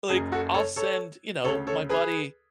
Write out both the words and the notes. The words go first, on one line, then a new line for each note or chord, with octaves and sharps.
like, I'll send you know, my buddy,
F#1 F#2 C#3 G#4
F#4 A4
A4 C#5
A4 C#5
D2 C#3 A4 C#5
A4 C#5
G#4 B4